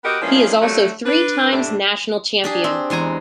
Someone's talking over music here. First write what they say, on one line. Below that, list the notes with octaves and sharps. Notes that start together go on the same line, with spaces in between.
He is also three times national champion.
B3 F#4 G4 A#4 B4 D#5
E3 F3 G#3 A#3 C#4 D4
D3 F#3 G3 A3
D4 B4
A2 C3 D4
D4 G4 G#4
C4
E2 G#3 G#5 A#5